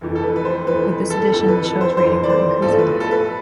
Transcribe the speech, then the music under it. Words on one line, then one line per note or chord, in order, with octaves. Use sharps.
With this addition, the show's ratings were increasing.
F1 F2 E3
A4
B4
B4
C5
F1 F2 E3 B4
A4
F1 F2 E3 A4
B4
A4
C5
F1 F2 E3 C5
D5
C5
B1 A2 F3 A4
B4
A4
B4